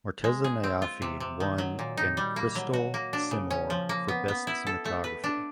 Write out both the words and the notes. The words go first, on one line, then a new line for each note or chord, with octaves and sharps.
Morteza Najafi won an Crystal Simorgh for Best Cinematography.
G#3
G#4
C4
F4
C3
C3
D#3
F#3
A#2
D#4
G3
A#3
F#3
F#4
A#3
D4
C#3
C#4
F3
A#3
B3
B3
E4
A4
A3
B4
D4